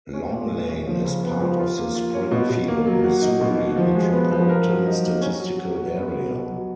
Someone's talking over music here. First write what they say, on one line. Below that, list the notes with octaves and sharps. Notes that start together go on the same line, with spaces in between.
Long Lane is part of the Springfield, Missouri Metropolitan Statistical Area.
C#4
A#2
G#3
C#4
F3
C#3
B3
F3
F4
A#3
F4
C#5
B2
B2
A#3
F#3
F#4
D#4
B2
F#4
F3
G#3
B3
F3
A#4
F#3
D#4
A#3
C#4
F#3
F#3
F#4
B3
F#3
B2
F#3